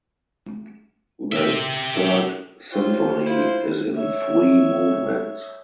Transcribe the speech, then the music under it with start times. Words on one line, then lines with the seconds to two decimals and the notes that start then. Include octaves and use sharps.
The Third Symphony is in three movements.
1.32 G4 E5
2.71 F4 G4 C5 C#5
3.25 E4 F4 C5
3.95 C#5 E5